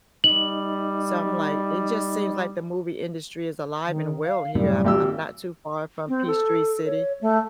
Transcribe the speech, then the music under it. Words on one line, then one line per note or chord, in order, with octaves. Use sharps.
something like it just seems, like, the movie industry is alive and well here. I'm I'm not too far from Peachtree City
G3 D#4 F#7
D#3
F5
F#2 A2 C3 G3
G#1 G4 E6
C4
A4
C#5
A3